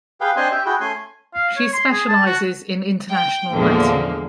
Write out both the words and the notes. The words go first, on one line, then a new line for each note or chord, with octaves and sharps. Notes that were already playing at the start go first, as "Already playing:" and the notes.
She specializes in International Latin.
G4 G#4 B4 F5 G5
C4 D4 C5 D#5 G#5 C6
G4 E5
E4 F#4 G#4 G5
A3 C#4 G#5 C6
F5
C#5
C6
G#4
A5
F#4
G5
E2 A#2 D3 F3 G#3 A#3